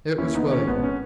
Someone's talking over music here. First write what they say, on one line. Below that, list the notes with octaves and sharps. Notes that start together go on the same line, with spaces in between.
It was William.
D#2 C#4 E4
B3 D#4
D#3
C#4
G#1 B3
C#4